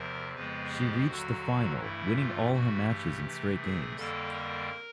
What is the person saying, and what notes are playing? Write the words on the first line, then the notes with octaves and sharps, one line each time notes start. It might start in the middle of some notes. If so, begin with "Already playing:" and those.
She reached the final, winning all her matches in straight games.
Already playing: E2 C3 F3 A#4
F2 C#3 F3 G#3 B3 B4
G4
D#2 D3 F#3 F#4
G2 E3 A3 E4
F4
G2 E3 A3 F#4
G4
C3 E3 A3
G#4
F2 D3 G3 A#3 A4
A#4